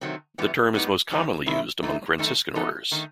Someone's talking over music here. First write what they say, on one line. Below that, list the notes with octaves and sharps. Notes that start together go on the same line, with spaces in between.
The term is most commonly used among Franciscan Orders.
C3 D#3 F#3 A3 C4
F#2 E3 G3 B3
A2 G3 B3 D#4
E2 D#3 G3 C4 D#4
D#3 G3 C4 E4
A2 E3 A3 D#4
F#2 D#3 A3 D#4 A4
E3 B3 D#4 A4 D#5
D#3 A3 D#4